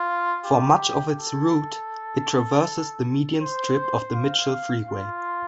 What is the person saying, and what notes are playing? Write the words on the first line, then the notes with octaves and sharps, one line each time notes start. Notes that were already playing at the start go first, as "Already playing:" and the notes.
For much of its route, it traverses the median strip of the Mitchell Freeway.
Already playing: F4
G4
A4
C5
F5
F4